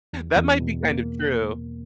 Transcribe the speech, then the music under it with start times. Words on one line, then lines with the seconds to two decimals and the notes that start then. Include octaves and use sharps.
That might be kind of true,
0.13 E2
0.37 E2
0.60 B2
0.83 A#3